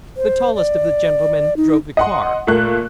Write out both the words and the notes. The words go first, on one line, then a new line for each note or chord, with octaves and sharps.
The tallest of the gentlemen drove the car.
C5
D5
D#4
D#5 F#5 C6
A#2 A3 A#3 F#6